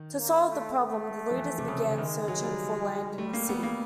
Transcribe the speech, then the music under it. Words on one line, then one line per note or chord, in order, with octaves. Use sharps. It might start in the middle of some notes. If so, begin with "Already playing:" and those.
To solve the problem, the leaders began searching for land in the city.
Already playing: D#3
A#3
A3
A3
F3
E3
C3
C#3
D3
D#3 G#3
F#3
G3
G3 A3
A#3
B3
A#3